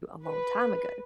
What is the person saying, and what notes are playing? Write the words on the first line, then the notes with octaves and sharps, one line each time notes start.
a long time ago,
B4